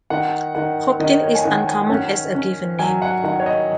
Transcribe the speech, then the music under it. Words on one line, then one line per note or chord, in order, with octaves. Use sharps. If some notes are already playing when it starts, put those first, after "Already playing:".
Hopkin is uncommon as a given name.
D#3 F#5
D#3 F#5
D#3 D#5
C#5
G#5
D#3 F#5
G#5
C#4 F#5
C#4
F#3 G#5
F#5
D#3 F#5
C#5
D#5